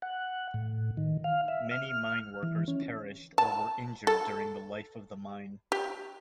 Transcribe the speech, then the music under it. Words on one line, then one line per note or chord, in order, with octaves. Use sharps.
Many mine workers perished or were injured during the life of the mine.
F#5
A2
D#3
F5
E5
F6
E3
C#4
A5
A4
G4